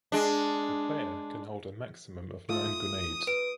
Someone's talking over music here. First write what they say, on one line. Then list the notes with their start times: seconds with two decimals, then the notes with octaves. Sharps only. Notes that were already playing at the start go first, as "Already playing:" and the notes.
The player can hold a maximum of nine grenades.
0.12 G#3 D4
2.49 A3 F4 A4 D#6
3.27 B4 D7